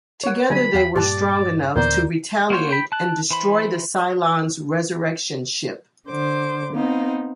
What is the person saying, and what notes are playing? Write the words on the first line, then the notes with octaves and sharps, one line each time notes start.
Together, they were strong enough to retaliate and destroy the Cylon's Resurrection Ship.
C#5 F#5
D3 F#3 G3 G#5 B5
E2 F5 G5
G2 A#2 G4 D5 A5 C6 F6 F#6
D#2 A#2 D3 E3 B3 A#4 C5 D5
A#3 F#4 C5 C#5
G5 B5
A5 F#6
E3 C5 B5
D3 C5 D6
B3 C4 D#4 F5